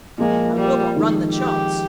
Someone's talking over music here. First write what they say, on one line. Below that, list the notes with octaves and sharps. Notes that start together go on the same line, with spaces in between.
'I will not run the chance.
A#2 F3 G#3 A#3
G3
F2 D#3 G#3 D#4
G4